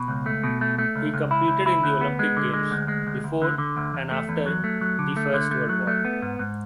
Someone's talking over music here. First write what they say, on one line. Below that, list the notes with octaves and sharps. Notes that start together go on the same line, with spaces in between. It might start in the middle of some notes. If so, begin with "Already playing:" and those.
He competed in the Olympic Games before and after the First World War.
Already playing: B2
C#2
A3
B2
A3
A3
C#2
C#2
E4
C#2
E4
D2
B3
G#3
D3
G#3
D2
G#3
D2
D2
D3
D3
D2
E2
A3
E2
F#3
A3
F#3
D3
A3
D3
A3
F#3
A3
B3
G#2
G#2